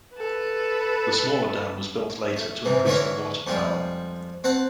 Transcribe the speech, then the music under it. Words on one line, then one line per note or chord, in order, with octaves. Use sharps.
The smaller dam was built later to increase the water power.
A4 B4
A3
G#2 C3 E3
D3 E3 A3 E4 A#4 C#5
F2 G3 G#3 F4
C4 F#5 A5